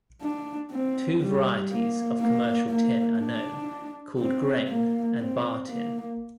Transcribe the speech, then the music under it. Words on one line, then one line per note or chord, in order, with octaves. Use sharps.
Two varieties of commercial tin are known, called grain and bar-tin.
D4
C4
G3
A#3
A#3
A#3
D4
C4
A#3
C4
A#3